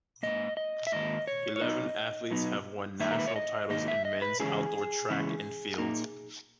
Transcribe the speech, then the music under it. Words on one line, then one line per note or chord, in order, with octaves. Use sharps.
Eleven athletes have won national titles in men's outdoor track and field.
G#2 D#3 A#3 D#5
D#5
E5
G#2 D#3 A#3 D#5
C#5
C#5
B2 F#3 B3 D#4 D#5
B2 F#3 B3 D#4
G#2 D#3 A#3 D#4 E5
A#4
B4
C#5
D#5
G#2 D#3 A#3 D#4 D#5
E5
D#5
B4
C#3 E3 G#3 C#4 E4 G#4
C#3 E3 G#3 C#4 E4
A#2 A#3 D#4